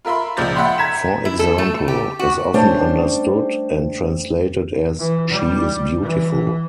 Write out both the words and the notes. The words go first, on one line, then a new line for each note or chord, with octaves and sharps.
For example, is often understood and translated as "She is beautiful".
F4 A#4 E5 B5 C6
C#2 A#2 F3 D5 G6 A6
E5 F#5 G5 B5 C6
A#5 G#6 B6 E7
E4
A4
A3
G4
F#4
G3 A3 C#4 D4 C5
E3
G3
E3